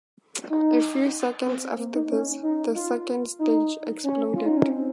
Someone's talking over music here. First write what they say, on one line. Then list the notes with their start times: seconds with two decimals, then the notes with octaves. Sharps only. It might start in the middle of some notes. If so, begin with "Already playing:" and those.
A few seconds after this, the second stage exploded.
0.50 D#4
1.46 C4
1.78 A#3
1.94 D#4
2.10 C#4
2.43 D#4
2.75 F4
3.39 D#4
4.04 C#4
4.35 F4
4.46 D#4
4.57 C#4
4.68 C4